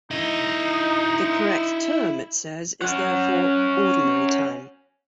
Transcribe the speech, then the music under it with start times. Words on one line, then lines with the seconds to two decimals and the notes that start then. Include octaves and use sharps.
The correct term, it says, is therefore "Ordinary Time".
0.11 D#4 E4 D#5
2.82 C#4 F#5